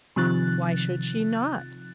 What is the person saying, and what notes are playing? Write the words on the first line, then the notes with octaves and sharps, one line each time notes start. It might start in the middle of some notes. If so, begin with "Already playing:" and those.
Why should she not?
C3 D#3 F3 F#6 A6